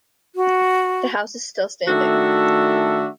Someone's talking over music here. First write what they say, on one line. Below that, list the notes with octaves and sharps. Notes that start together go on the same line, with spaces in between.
The house is still standing.
F#4
D#3 A3 D4 F#4 A4 E5